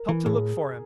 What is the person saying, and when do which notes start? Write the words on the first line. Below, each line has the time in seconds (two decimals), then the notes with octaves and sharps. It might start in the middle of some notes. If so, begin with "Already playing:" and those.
Help to look for him!
Already playing: A#4
0.09 E3
0.26 A2 G#4